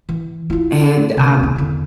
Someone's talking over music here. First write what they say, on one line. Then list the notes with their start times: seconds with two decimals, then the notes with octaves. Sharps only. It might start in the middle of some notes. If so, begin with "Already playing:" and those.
and, um
0.09 E3
0.50 E4 F4
0.97 A3
1.17 C3 D#3
1.40 D1 D#4
1.56 E2 D3